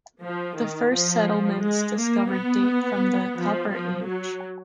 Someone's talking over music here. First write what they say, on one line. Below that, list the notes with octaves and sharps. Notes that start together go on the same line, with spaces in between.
The first settlements discovered date from the Copper Age.
F3
D#3
F3
G#3
A#3
B3
F3
F3
F#3